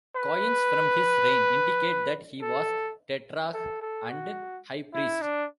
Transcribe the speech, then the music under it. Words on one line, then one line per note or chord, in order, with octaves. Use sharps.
Coins from his reign indicate that he was "tetrarch and high priest".
B4
A4
A4
A4
F#4
E4
D4